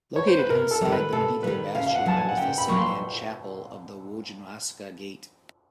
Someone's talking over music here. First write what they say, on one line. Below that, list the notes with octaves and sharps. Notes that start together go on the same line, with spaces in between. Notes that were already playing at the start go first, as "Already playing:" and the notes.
Located inside the medieval bastion was the Saint Anne Chapel of the Wojanowska gate.
C#5
C5
B4
C3 A#4
A4
D#3 G3
B4
C3 A4
D#3 G3 B4
C#3 F5
F5
F#5
F#3 A#3 A5
G#5
F#5
C#3 G5
B5
F#3 A#3 C#6
C6